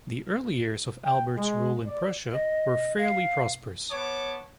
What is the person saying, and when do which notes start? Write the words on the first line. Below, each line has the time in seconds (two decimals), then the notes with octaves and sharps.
The early years of Albert's rule in Prussia were fairly prosperous.
1.05 G5
1.37 G#3
1.86 D5
2.32 D#5
2.98 F5
3.91 B3 C#5 A5 D6